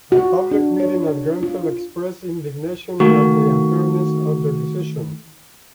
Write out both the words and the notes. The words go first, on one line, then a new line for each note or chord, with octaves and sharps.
A public meeting at Grenfell expressed indignation at the unfairness of the decision.
F#4
D4
C#5
F4
D#3 A3 A#3 F#4